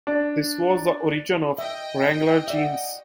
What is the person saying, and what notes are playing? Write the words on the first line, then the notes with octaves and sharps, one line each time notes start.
This was the origin of Wrangler Jeans.
D4
D#5 E5 G5
F#4 D5 E5 F#5